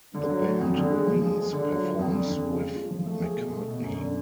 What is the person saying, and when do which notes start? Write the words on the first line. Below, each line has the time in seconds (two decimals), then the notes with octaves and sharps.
The band Wings performs with McCartney.
0.14 D3
0.29 F#3
0.45 F#4
0.61 F2
0.76 D3
0.92 G#3
1.07 F3
1.22 G#3
1.38 G#4
1.53 D3
1.68 F#3
1.83 F4
1.99 F2
2.14 D3
2.30 F2
2.45 C#3
2.61 G#3
2.76 F4
2.91 F3
3.06 A3
3.22 G#4
3.37 B2
3.53 A3
3.68 B2
3.83 F#2
3.98 D3